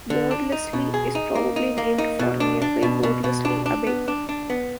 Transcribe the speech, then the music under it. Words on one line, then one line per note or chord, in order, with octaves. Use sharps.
Bordesley is probably named for nearby Bordesley Abbey.
D3
D4
D#4
B2
G#4
D#4
A#3
D#4
A#3
D#4
B2
D4
D4
B2
B2
B2
D4
D4
B3
D4
D4
B3